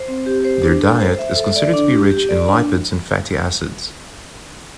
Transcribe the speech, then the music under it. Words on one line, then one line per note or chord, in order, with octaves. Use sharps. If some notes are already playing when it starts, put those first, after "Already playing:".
Their diet is considered to be rich in lipids and fatty acids.
Already playing: C5
C4
G4
C5
D4
A4
C5
E5
A4
D5
D4
G4
G4
D5
D4